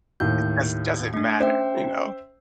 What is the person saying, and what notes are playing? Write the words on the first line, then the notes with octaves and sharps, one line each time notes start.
It does doesn't matter, you know?
D#2 A2 G6
A3 D4
C#4 C5 E5 G5